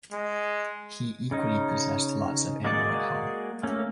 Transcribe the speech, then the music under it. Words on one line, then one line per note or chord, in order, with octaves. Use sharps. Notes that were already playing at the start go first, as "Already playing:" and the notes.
He equally possessed lots of ammo at home.
G#3
C#3 C#4 D#4
G#3 A#3 F#4 G#4 D5
A3 A#3 C#4